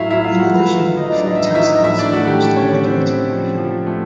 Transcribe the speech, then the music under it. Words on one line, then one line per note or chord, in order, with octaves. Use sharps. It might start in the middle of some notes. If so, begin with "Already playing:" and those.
In addition, FourText also launched on digital television.
Already playing: A2 F#3 E4 E5 F5
F#3 E4 E5
F4 F5
A2 F#4 F#5
B4 B5
F#3
E4 E5
F#3 D#4 D#5
D#5
D4 D5
A2 D#5
E5
D#4 D#5
F#3 E4 E5
D#5
A2 E4 E5
D4 D5
A3 F#4 F#5
G4 G5
A2
C#4 C#5
A2 C#4 C#5
C4 C5
A2
F3
F3
A3